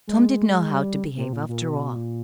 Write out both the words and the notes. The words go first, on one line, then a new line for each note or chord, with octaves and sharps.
Tom did know how to behave, after all.
G#3
G3
C3
A#2
A#2
B2
A#2